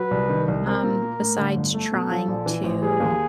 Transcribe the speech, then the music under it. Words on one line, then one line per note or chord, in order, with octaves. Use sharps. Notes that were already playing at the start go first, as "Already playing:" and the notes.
um, besides trying to
Already playing: F#3 B4
C2
D#3
C2
C4 A#4
A#2
A#3
A2
D3
G1
A3 A4
B2
F3
A#1
E3
A1
G3 G#4
D#2